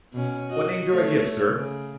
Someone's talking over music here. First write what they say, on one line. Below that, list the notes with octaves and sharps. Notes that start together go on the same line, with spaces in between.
"What name do I give, sir?"
B2 C#4
F#4 D#5
A3 C#5
C#3